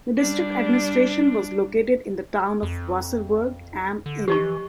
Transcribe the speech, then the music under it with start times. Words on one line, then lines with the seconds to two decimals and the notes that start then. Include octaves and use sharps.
The district administration was located in the town of Wasserburg am Inn.
0.17 G3 D4
2.63 F2
4.06 D3
4.28 E3 G4 D#5 C#6